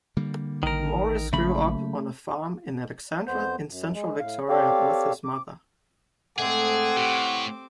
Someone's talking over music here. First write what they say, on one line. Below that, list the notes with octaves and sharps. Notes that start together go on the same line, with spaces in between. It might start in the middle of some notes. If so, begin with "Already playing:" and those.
Morris grew up on a farm in Alexandra in central Victoria with his mother.
D3 G3 A#3
A1 D#3 A#4
C#3 F#3 A3 A#3 B5
F2 B3 C5 G6
F#2
G#3
A2 F5
C4 G4 A4 C#5 D5 F5
D6
G#2 A3 C4 G#4 F#5 D6
A2 G4